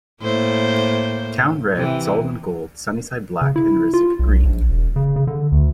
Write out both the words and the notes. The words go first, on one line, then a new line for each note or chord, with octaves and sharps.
Town red, Solomon gold, Sunnyside black and Rissik green.
A2 A#3 C5
C3 E3
C#3
E4
F4
B1
A#1
E1
C#3
C#3
D3
D2